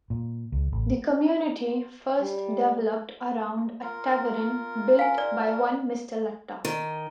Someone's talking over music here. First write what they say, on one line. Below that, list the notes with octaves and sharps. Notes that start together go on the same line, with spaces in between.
The community first developed around a tavern built by one Mr. Latta.
A#2
C#2
A1
G3
F4 A#4
F5 G#5
D5
D#3